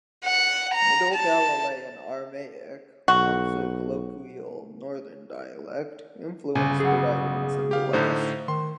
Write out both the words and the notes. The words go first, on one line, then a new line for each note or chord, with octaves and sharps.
Middle Galilean Aramaic, once a colloquial northern dialect, influenced the writings in the west.
F#5
A#5
A5
B1 F#4
G1 C#3 G#5
B1 F#3 G#4 F#5
G4 F5
A2 D3 D#4 C5
D#3 C6